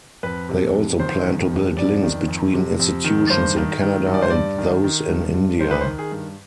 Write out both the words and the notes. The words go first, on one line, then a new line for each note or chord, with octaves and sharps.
They also plan to build links between institutions in Canada and those in India.
F2 B4
C3
F2
D#3 C5
F2
C3
F2 D5
D#3
F2
C3
F2
D#3
G2 C5
D#3
D#3
G2
D5
C5
G2 D5
D#3
D#3
G2
G2
D#3 C5
B4
C5
D#3
G#4
G2